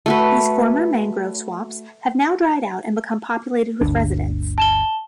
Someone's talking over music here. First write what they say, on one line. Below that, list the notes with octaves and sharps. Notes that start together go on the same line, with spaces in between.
These former mangrove swamps have now dried out and become populated with residents.
A3 F#4 B4
G1 D2 D4
A5 E7 G7